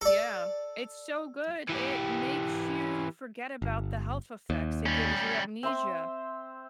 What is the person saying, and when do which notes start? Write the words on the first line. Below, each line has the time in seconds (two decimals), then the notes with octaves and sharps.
Yeah. It's so good, it makes you forget about the health effects, it gives you amnesia.
0.01 A4 D5
1.69 E3 G4
3.62 G1
4.50 D#2
4.86 G3 C#4
5.63 C4 E5 C6 E6